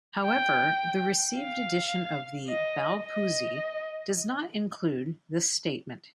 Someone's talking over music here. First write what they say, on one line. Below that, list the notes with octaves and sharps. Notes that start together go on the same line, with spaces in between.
However, the received edition of the "Baopuzi" does not include this statement.
G5
F5
D#5
D#5